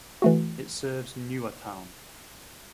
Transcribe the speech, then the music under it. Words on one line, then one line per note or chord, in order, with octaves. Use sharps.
It serves Nua town.
E3 A3 F#4